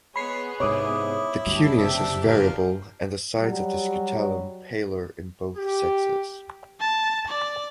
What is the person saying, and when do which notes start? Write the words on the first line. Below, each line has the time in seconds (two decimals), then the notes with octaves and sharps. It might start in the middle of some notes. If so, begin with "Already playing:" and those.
The cuneus is variable and the sides of the scutellum paler in both sexes.
0.16 G#3 B3 G#4 C#5 B5 C7
0.60 G#2 C3 E4 C#5 D6 D#6
1.46 D2 G2 F#3 D4 G4
1.78 F#1 C3 E5 A5
2.27 F3 A#4
3.42 F#3 G3
5.57 G4
6.80 A5
7.28 D5